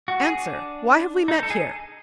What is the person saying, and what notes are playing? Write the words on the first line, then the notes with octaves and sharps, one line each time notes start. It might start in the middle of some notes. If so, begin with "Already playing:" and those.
Answer: why have we met here?
F#4
G#4
D4
D#4
A4
G#4